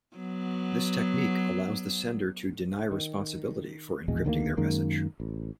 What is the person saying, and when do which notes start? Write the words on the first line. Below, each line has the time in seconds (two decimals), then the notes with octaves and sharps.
This technique allows the sender to deny responsibility for encrypting their message.
0.16 F#3 B3
2.92 D#3
4.08 A#1 E2 B2 G#3
4.25 D2 D#3 F#3 A#3
4.57 F#2 D#3 G#3 A#3
5.20 A1